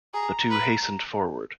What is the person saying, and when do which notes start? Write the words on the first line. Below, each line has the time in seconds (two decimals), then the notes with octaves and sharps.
The two hastened forward.
0.14 G#4 A#5
0.51 B4